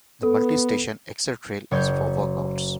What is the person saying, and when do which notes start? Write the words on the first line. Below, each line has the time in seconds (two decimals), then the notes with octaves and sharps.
The multi-station Exer-Trail is for workouts.
0.23 B3 A4
1.71 F#1 C#5 C#6 G6